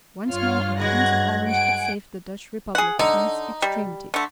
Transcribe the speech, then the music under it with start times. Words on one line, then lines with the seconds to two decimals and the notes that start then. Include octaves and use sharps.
Once more a Prince of Orange had saved the Dutch Republic in its extremity.
0.30 G2 F4 C#5 F6
0.79 F#3 G#3 B4 F#6 G#6 A#6
1.45 F#5 G#5 D7
2.75 G#4 F#5
2.99 D3 D#4
3.62 G3
4.14 D3 A3